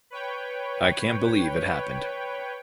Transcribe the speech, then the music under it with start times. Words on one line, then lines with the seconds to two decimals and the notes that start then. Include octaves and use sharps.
I can’t believe it happened.
0.10 B4 C#5 G5